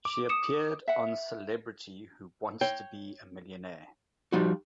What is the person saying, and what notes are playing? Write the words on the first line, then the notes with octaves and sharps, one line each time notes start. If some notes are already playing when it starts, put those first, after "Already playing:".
She appeared on Celebrity Who Wants To Be A Millionaire?
D6
D#6 C#7 E7
E5 F#5
C#5 G5
F3 G3 D#4 F#4